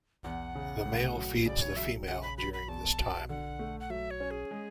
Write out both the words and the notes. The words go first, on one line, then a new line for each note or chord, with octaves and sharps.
The male feeds the female during this time.
E2 F#5
C#3
A2
F#3
C#3 D5
C#5
F#3 E5
C#3 F#5
B5
F#3 B5
B5
E2 A5
B2
D3 F#5
A3
F#5
F#3 E5
C#5
C#4
G#4
G#3